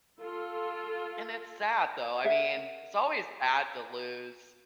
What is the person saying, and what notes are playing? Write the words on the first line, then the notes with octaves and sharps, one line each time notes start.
And it's sad, though. I mean, it's always sad to lose
F4 A4
G#4 A#4 E5 F#5